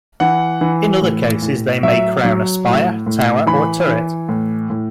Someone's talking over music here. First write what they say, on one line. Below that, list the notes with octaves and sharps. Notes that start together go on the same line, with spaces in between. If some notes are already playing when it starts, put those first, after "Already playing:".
In other cases they may crown a spire, tower, or turret.
E3 F#5
E3
A2
A2
F#3 E5
F#3
A2
A2
E3 B5
E3
A2
A2